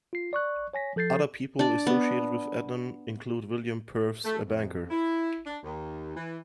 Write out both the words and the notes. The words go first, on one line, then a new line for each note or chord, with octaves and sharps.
Other people associated with Ednam include William Purves, a banker.
F4 C7
D5 C#6 F#6
C#5 G#5 A#6 B6
F3 A4 G6 A6 C7
D4 D5
B3
A3
F2
E4
D4
D#2
E3